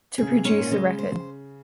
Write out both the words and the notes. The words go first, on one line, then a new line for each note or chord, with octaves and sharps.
To produce a record.
C#3 G#4
C3
G#2 C#4
A#2
C#3 G#3
C5